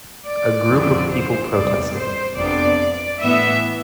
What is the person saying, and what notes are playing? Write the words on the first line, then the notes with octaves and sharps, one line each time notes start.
A group of people protesting.
D5
F2 D3 F3 C4 E4
C5
E2 C3 G3 D5
C5
F2 C3 F3 B3 D4 D5
A2 E3 B3 E5